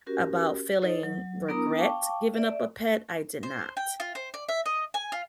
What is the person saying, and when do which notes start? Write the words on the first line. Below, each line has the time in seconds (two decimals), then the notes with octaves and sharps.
about feeling regret giving up a pet, I did not.
0.06 C#4 F#4 G4 A#4
0.82 D#4 A4 C5 C#5 D#5
1.03 F#3
1.49 B3 D4 E4 A#4 A#5 D#6
1.77 F5 G5 A5 C#6 D6
2.34 D5 E5
3.43 C5
3.77 G5
4.00 F4
4.15 C5
4.34 D5
4.48 E5
4.66 D#5
4.94 G#5
5.12 F4